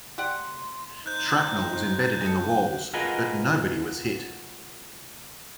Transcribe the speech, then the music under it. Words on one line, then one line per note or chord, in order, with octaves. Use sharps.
Shrapnel was embedded in the walls, but nobody was hit.
G4 D5 F#5 C6
D#4 C5 F#6 G6
A4 D#5 G#5
F4 F#4 G#4 A#4 B4 D#5